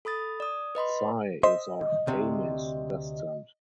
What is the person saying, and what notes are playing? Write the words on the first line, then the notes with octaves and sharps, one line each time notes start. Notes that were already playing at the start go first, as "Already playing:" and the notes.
Tsai is of Amis descent.
A4 B5 D#6 A6
D5 D#6
B4 D#5 B5 C6
C5 D#5 E5
D2 C3